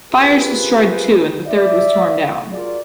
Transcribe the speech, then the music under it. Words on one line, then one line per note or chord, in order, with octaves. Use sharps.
Fires destroyed two and the third was torn down.
C4 F4 G4 G#4 A#4 B4
D5 E5
F4 F#4 G#4 A#4 D5